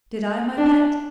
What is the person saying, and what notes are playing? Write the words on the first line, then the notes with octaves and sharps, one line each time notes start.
"Did I, my pet?"
D4